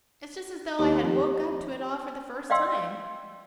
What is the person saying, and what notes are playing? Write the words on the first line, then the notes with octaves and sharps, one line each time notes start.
It's just as though I had woke up to it all for the first time.
D#2 G4
F2
D5 D#5 F5 G5 C6 E6